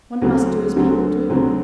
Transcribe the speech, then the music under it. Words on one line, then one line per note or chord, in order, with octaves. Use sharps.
One must do as people do.
D2 D3 F#3 C4 F#4
D2 D3 F#3 C4 F#4
D2 D3 F#3 C4 F#4